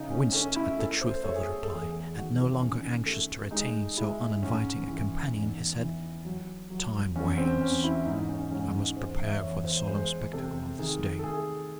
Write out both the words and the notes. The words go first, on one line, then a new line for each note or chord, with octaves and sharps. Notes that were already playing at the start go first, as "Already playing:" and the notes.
He winced at the truth of the reply; and no longer anxious to retain so uninviting a companion, he said, 'Time wanes; I must prepare for the solemn spectacle of this day.
Already playing: C#3 D#4
C#4
A3 C#4
E4
A3 A4
C5
A3 C#5
G#4
A4
A4
E2 G#4
G#4
D#3 F#4
E4
D#3 C#4
A3
G#3 D#4
G#3 E4
G#2 C#4
E3
E2 D#4
E3
F#3
F#3
E2 C#4
C4
E2 C#4
E4
G#2 D#4
C#4
G#2 C#4
D#4
E2 C5
E5
E2 C#5
C5
G#3 C5
C3 A4
D#3 G#4
A4
A3 G#4